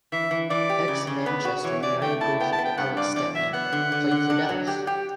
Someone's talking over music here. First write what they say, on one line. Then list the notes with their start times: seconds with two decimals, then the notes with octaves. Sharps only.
Ex-Manchester United goalkeeper, Alex Stepney played for Dallas.
0.12 E3 E5
0.31 E3
0.50 E3 D5
0.70 G4
0.88 C#3
1.07 C#3
1.25 B3 B4
1.45 F#4
1.64 E3 C#5
1.83 E3 D5
2.02 A3 G5
2.21 E4 A5
2.40 B3 G5
2.52 A5
2.58 B3
2.65 G5
2.77 G2 F#5
2.97 G2 D5
3.16 E2 D5
3.35 F#3 E5
3.54 B3 F#5
3.73 D3
3.92 D3
4.11 D3
4.30 D4
4.49 F#3
4.67 G4
4.87 G4